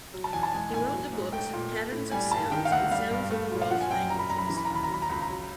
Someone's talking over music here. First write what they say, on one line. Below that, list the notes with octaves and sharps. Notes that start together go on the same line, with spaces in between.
He wrote the books "Patterns of Sounds" and "Sounds of the World's Languages".
F#3
A5
E2 G#5
A5
G#3 G#5
A2 G#5
F#3
G#2
A3 G5
A#2
A3
A2
G3 G#5
G2 A5
D#3 G5
F5
D2 F#5
G3 F5
G2
A3
A#2
F5
F3 F#5
G#5
F#2 G5
F#3 A#5
B5
F#2 A#5
B5
E3 A#5
B5
A#5
D#2 B5
A#5
F#3 B5
A#5
C#2 B5
A#5
F#3